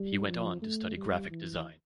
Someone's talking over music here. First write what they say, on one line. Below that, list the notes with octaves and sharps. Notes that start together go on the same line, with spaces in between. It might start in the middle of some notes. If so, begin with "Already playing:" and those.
He went on to study graphic design.
Already playing: G3
F3
A3
G3
E3